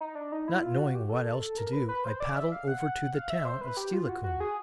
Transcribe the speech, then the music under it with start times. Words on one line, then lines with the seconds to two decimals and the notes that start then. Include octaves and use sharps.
Not knowing what else to do, I paddled over to the town of Steilacoom.
0.01 D#4
0.15 D4
0.32 D#4
0.48 E4
0.62 F4
0.78 F#4
0.95 G4
1.09 A4
1.58 A#4
1.73 B4
1.89 B4
2.04 C5
2.20 D5
2.36 E5
2.52 F5
2.68 F#5
3.14 F5
3.30 E5
3.45 C5
3.61 B4
3.77 G4
3.93 F4
4.09 F#4
4.24 F#4
4.40 G#4